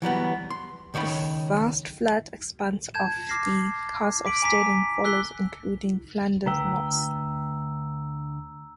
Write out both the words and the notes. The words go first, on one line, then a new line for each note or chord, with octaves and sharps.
The vast flat expanse of the Carse of Stirling follows including Flanders Moss.
E3 F#3 G3 B3
C6
C#2 D#3 C#5 G5 B5
A5 G6 G#6 E7
D6 F6 A#6 C7
D6 B6 D7 F#7
G#5 A#5 D6 B6
D6 E6 F#6 B6 G7
D2 B4 G5 A#5 E6